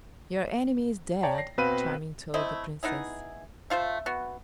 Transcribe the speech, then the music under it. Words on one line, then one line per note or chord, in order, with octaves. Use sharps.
"Your enemy is dead," Charming told the Princess.
C#5 D5 G5 A5 A#5
A#6 C7
B2 C4 B4 F5 B5 D#7
A3 C4 E4 D#5
B3 D#4 E4 G#4
A3 F4 C5 E5
B3 F#4